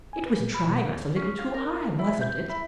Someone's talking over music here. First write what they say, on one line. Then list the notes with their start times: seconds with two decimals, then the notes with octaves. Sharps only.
It was trying us a little too high, wasn't it?
0.13 G#5
0.26 B4
0.40 A#2
0.54 B5
0.67 B2
1.16 C#4
1.39 F4
1.54 A#4
1.99 E4
2.21 G6
2.49 E4